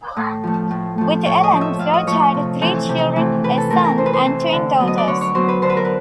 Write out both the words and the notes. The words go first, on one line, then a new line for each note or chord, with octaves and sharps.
With Ellen, George had three children, a son and twin daughters.
A2
F3 A3
A2
F3 A3
A2 C#5
D#5
F3 A3
E5
A2 F5
D#5
F3 A3 C#5
C3
E3 A3 C4
C3
E3 A3 C4
C3 B4
A4
E3 A3 C4 A#4
A#4
C3 C5
B4
C5
E3 A3 C4
D3
F#3 B3
D#5
D5
D3 C#5
C#5
F#3 B3 C5
B4
D3 C5
B4
A#4
B4